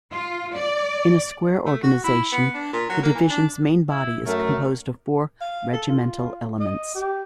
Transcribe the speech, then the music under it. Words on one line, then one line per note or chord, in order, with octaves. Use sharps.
In a square organization, the division's main body is composed of four regimental elements.
F4
D5
A3
F#4
E4
B3
D4
A#2
F#3
A#3
E3
D4
E4
F#2 A3 A#4
F5
A4
F4
D#5
G4